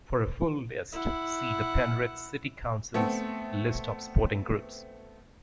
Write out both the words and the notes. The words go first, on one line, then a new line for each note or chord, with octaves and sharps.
For a full list see the Penrith City Council's list of sporting groups.
E4 F#5
A3 B3 C4